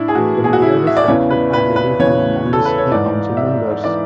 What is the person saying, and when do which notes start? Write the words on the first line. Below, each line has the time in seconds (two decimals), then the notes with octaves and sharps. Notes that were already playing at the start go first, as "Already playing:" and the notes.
The Mayor is selected annually from among the City Council members.
Already playing: A2 D4 E4
0.08 G#4
0.15 A2 E3 F#4
0.44 G#4
0.53 F#4
0.62 E4
0.87 E5
0.97 D5
1.08 E2 C#3 E3 C#5
1.30 B4
1.53 B4
1.76 B4
1.99 E2 C#3 E3 C#5
2.53 A4
2.65 B4
2.78 C#5
2.91 G#2 E3 D5
3.37 E5
3.84 E3 D5